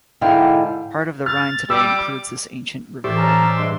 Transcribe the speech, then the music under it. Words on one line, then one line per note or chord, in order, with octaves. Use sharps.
Part of the Rhine today includes this ancient riverbed.
G#2 D3 E4 F5 G5
F6 A6
G3 D6 E6
A2 E3 G4 C5 D5 E5
C#4 A5 A#5
G2 G#3 C6